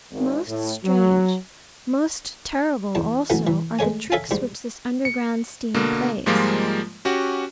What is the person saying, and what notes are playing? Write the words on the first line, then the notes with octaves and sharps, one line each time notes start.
Most strange, most terrible also, are the tricks which this underground steam plays.
G#1
A2
F#3
E2 A5
E3 F#3 A3 C#4
E3
G#3 A3 C#5 G#5
A4 C#5 E5 F5 G#5 A5
G#2 G3
C#7
B2 D3 A#3
G#2 F3 G3 G#3 A#3 F4
C#4 F#4 G4 F#5